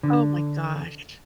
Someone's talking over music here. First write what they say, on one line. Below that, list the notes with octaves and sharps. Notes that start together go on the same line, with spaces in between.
Oh, my gosh.
D3